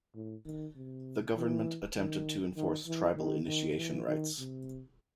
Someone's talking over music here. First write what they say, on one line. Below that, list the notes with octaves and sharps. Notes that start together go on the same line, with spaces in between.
The government attempted to enforce tribal initiation rites.
A2
D#3
C3
E3
D#3
D#3
E3
D#3
D#3
E3
D#3
C3